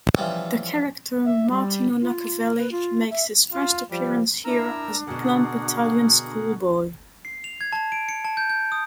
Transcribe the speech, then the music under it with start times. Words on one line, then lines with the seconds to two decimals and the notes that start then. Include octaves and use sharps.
The character Martino Knockavelli makes his first appearance here as a plump Italian schoolboy.
0.16 E3 F3 G3 B3 C#4
1.25 E5
1.50 G3
2.01 F4
2.58 B4
2.72 F4
3.10 E5
3.53 F4
3.91 F3 G3
4.45 D4 E4 A#4 A#5 E6
5.07 B2 D3 F#4 G#4 A#4 F#5
7.25 C7
7.44 F7
7.61 G#6
7.73 A5
7.92 D7
8.09 C#7
8.25 A5
8.37 G6
8.50 G6
8.72 D#6